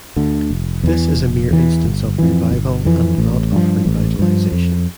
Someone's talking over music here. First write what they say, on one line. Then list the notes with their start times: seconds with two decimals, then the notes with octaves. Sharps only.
This is a mere instance of revival and not of revitalization.
0.16 D2 D3
0.50 F1
0.84 E2 E3
1.17 F1
1.51 E2 E3
1.84 G1
2.18 F2 E3
2.51 G1
2.85 F2 E3
3.18 A1
3.52 G2 F3
3.86 A1
4.19 G2 F3
4.52 F2